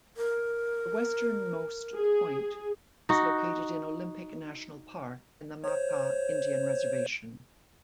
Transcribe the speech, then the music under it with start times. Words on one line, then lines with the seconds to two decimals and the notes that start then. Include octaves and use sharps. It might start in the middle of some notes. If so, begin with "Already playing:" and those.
The westernmost point is located in Olympic National Park and the Makah Indian Reservation.
0.17 A#4
1.95 G#4
3.09 D#4 F#4
5.64 C5 C#5